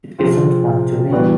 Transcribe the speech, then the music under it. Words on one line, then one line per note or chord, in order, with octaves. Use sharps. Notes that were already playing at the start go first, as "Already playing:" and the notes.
It isn’t one to me.
C3 F3 G#3 C4 F4
E3 G3 B3 D4 F#4